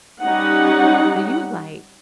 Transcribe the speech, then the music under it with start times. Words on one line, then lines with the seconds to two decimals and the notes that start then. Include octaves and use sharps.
Do you like
0.22 G3 C#4 D#4 F#5